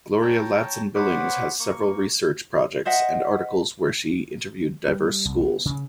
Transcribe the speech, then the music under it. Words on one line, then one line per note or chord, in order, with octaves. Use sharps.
Gloria Ladson-Billings has several research projects and articles where she interviewed diverse schools.
C#5 G5 A5 A#5
B3 C5 C#5 F#5 B5 D6
A#3 C#6
C5 D#5 E5 F#5
G3
C2
B3
C#3